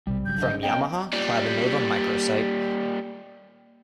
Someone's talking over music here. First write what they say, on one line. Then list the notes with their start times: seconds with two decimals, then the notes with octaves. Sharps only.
From Yamaha Clavinova microsite.
0.07 B1 C3 G3
0.26 G#1 C#3 F#3 G6
0.38 D3 D#5
0.50 C#4
0.63 B3 C#5 D#5 G5
1.13 A#2 G3